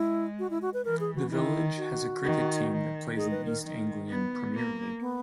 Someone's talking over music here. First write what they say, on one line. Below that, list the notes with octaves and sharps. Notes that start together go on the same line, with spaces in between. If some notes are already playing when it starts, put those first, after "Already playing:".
The village has a cricket team that plays in the East Anglian Premier League.
Already playing: G#3 E4
F#4
E4
F#4
B4
E3 A#4
G#4
F#4
D#3 E4
F#4
D#3
D#3
D#3 G#4
B4
A#4
D#3
B3
A#3
B3